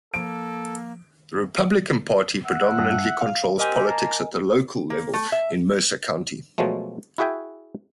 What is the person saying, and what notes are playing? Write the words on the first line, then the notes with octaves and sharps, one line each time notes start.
The Republican Party predominantly controls politics at the local level in Mercer County.
F3 A#3 A4 D7
E5 F#5
G2
F5
C4 G4 A#4 D#5 G#5
A#3 A5 A#5
A#3
A3
E5
B2 F3 F#3 G#3 A3
E4 F#4 G#4 E5 G5 G#5